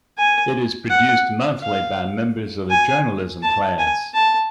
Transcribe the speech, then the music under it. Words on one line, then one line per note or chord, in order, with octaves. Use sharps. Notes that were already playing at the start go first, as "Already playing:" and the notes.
It is produced monthly by members of the journalism class.
G#5
F#5
F5
G#5
A5
G#5
A5